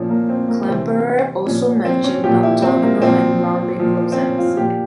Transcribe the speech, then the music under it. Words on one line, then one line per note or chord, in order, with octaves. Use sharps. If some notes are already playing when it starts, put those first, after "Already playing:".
Klemperer also mentioned octagonal and rhombic rosettes.
Already playing: A#2 F3 C#4
A#3
C4
A#3
C3 E3 C4
A#2 F3 C#4
C4
C#4
A#2 F3 G4
E4
C4
A#3
A#2 F3 C4
A#2 F3
C4
C#4
F4
A#2 F3 G4